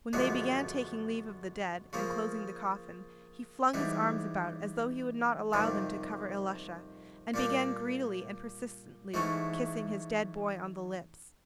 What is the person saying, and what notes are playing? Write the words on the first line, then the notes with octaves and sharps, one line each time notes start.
When they began taking leave of the dead and closing the coffin, he flung his arms about, as though he would not allow them to cover Ilusha, and began greedily and persistently kissing his dead boy on the lips.
F#2 D3 F3 G#3 B3
C#3 F3 A#3
G#2 E3 G3
F2 C3 D#3 G3
A#2 G3 A#3 D4
G#2 E3 A3 C#4